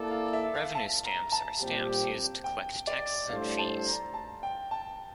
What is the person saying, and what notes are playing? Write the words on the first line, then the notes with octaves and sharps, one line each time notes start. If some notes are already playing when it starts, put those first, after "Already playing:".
Revenue stamps are stamps used to collect taxes and fees.
Already playing: A#3 E4 A4 D5 A5
F5
E5
F5
A5
A#5
A5
A#2 G3 C4 G4
G5
D5
A2 G3 D4 A4 C5 F5
A5
A#5
A5
G5
A5